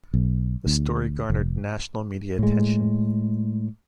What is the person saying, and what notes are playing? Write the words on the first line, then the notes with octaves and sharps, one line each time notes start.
The story garnered national media attention.
B1
D2
F1
A2 G#3